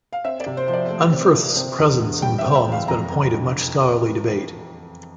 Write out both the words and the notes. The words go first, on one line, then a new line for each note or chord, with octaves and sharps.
Unferth's presence in the poem has been a point of much scholarly debate.
F5
C4 E5
D5
C3
C5
F3 C5
D5
A3
C4
C3
C4
E2
D3
G3 G5
E5
C4
E5
E2
F5
F2 A#5
F2
D3